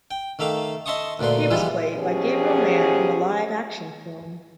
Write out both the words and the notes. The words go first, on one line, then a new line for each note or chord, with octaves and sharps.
He was played by Gabriel Mann in the live-action film.
G5
D#3 A3 E5 F5 D6
D#5 E5 A5 C6 C#6 D#6
D2 A#2 D3 B4 C6
E3 F3 G3 G#3 E4
B2 F3 F#3 C#4 G4 G#4